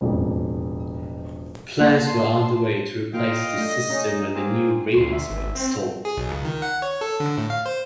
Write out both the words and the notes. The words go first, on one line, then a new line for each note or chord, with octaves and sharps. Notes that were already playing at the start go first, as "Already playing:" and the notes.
Plans were underway to replace this system when the new radars were installed.
E1 A1 F2
A#3 A5 C6
A#3 F4 D#5 F5 G5
A3 D4
C#4 D#4
A#3 C4 G#4
D2 C6
E5
G#1
C4
G#4
B1
C#2
D#3
F#5
C#5
A4
D3
A2
F5
C5